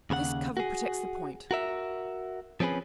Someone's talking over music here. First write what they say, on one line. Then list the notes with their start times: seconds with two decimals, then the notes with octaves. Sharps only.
This cover protects the point.
0.10 D#2 C#3 A#4 F#5
0.57 F#4 G#4
1.51 F#4 A#4 E5
2.60 F3 C4 C#4 G#4 B4